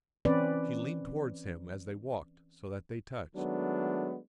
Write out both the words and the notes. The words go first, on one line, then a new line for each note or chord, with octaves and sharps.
She leaned towards him as they walked so that they touched.
E3 C4 C#4 B4 D5
D#3 F#3 G#3 A3 B3 D4